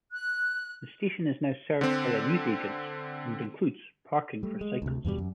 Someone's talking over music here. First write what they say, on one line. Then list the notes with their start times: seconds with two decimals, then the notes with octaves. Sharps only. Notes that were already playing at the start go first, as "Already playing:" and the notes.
The station is now served by a newsagents, and includes parking for cycles.
0.11 F#6
1.81 D3 C4
4.43 G3 A3
4.61 G#3
4.82 D2 C3
5.05 E2 G2 B2 G3
5.18 F#2